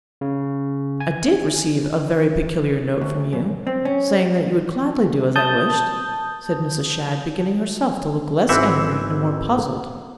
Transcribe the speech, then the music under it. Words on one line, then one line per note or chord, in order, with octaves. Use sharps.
"I did receive a very peculiar note from you saying that you would gladly do as I wished," said Mrs. Shadd, beginning herself to look less angry and more puzzled.
C#3
G#5
D2
F#2
C4
C#4
A5 D#6 G6
G#1 E3 C4 E5 F#5